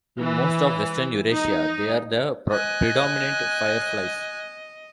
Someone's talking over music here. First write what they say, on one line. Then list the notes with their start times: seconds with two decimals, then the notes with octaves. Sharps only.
In most of western Eurasia, they are the predominant fireflies.
0.20 E3
1.30 D#4
2.52 D#5 G#5 F#6